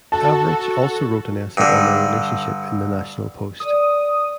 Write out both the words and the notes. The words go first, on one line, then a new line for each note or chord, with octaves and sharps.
Avrich also wrote an essay on their relationship in The National Post.
F#4 A4 A5
G2 D3
A4 D5 D#6